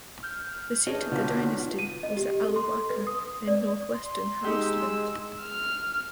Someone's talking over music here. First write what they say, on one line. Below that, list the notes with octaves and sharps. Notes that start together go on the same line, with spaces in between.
The seat of the dynasty was at Alkalawa, in northwestern Hausaland.
F6 G6
E3 D4 G#4 C#5 D#5
B1 D3 F4
D#7
D#5
G4
A4
C6
B4
D#6
D5
C6
G#3 D#4 G4 E6
F6